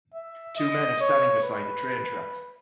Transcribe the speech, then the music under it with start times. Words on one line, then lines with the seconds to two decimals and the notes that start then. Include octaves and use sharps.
Two men are standing beside the train tracks.
0.14 E5
0.57 D#5
1.00 C#5
1.43 B4